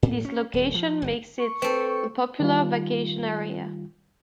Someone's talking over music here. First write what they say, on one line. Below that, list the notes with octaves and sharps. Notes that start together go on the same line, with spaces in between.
This location makes it a popular vacation area.
A2
C#4
D#1
F3
G1
C#6
C4 A4 B4
C#6
D#3 G3 F4